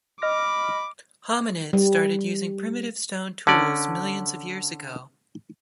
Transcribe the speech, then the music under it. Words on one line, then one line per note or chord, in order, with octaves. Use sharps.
Hominids started using primitive stone tools millions of years ago.
D#5 B5 D6 F6 A#6
G3
D3 C#4 D5